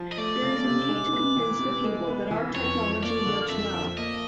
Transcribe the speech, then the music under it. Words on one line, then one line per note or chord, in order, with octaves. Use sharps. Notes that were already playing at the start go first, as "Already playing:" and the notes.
There is a need to convince the people that our technology works well...
Already playing: F3
D#5
A3 D5
C#3
C3
G#3
B3
E3
C3
G#3
B3
E3
F2 C#5
F3
A#3 D5
D3
F2 E5
F3
A#3 D#5